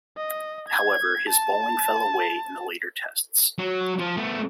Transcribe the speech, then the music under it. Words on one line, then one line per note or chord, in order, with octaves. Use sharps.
However, his bowling fell away in the later Tests.
D#5
G#6
A5
F#3
F3
A3 B3